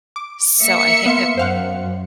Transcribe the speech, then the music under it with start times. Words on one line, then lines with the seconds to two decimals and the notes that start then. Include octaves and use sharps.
so I think that
0.16 D6
0.60 A#3 E5 C#7
1.06 B3 F5 C6
1.37 F#2 C5 F5 F#5